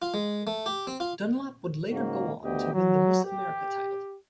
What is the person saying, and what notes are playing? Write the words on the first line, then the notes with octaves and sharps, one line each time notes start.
Dunlap would later go on to win the Miss America title.
F4
G#3
A3
G4
C4
F4
G#2 C#3 A#3 F#4
D2 B3 G4 D#5
F#3
G4